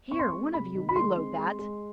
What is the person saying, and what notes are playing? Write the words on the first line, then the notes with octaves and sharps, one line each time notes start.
Here, one of you, reload that.
C4 C#6
C6
C#6
G#3
C3 B5
D#3
B5
G#3 C6
C4
G#3
G#3